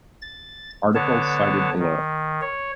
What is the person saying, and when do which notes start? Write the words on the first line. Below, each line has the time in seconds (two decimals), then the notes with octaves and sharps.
Article cited below.
0.22 A6
0.95 D3 B3 C#5 A5
1.78 D#3
2.41 C#5